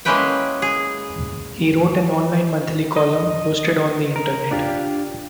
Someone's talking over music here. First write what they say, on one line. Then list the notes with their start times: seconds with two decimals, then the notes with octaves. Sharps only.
He wrote an online monthly column posted on the Internet.
0.05 G#3 A#3 C#4 E4 B4 G5
0.62 G#4
2.96 D#5
4.16 A#4
4.51 D4 F4 G4 F5